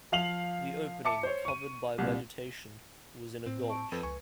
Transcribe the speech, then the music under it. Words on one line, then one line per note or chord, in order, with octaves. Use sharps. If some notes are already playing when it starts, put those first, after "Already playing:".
The opening, covered by vegetation, was in a gulch.
F3 F5 F7 F#7
E5 A5 D6 C#7
C5 C#5
C#6 D#7
C2 A#2
A2 C4
A5 C#6 D7
F2 F3 A4 B4
C#2 G#5 C#6